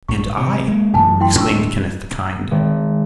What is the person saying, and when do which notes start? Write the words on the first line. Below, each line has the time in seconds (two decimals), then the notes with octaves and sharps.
"And I," exclaimed Kenneth the Kind.
0.09 A#1 C#6
0.37 C3
0.68 G#3 A#3
0.93 A1 F#2 A2 G#4 G#5 A5
1.20 E4 G5 C6
1.38 D1 A2 D4 C#6 E6
2.51 G#1